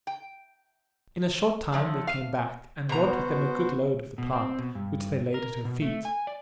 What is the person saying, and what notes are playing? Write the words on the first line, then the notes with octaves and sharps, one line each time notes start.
In a short time they came back, and brought with them a good load of the plant, which they laid at her feet.
G5
D3 F3 A3
F5
B2 B3 F#4 C5 A#5
B2
C4
B2
G2
A#4
B2
A3
G#5
D5